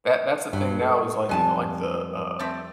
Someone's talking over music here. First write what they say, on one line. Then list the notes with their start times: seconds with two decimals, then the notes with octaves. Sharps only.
That that's the thing now is, like, even like the, uh,
0.53 G2 F#3
0.81 A4
1.29 F2 G3 G#3 G#5 A5
2.39 A3 C4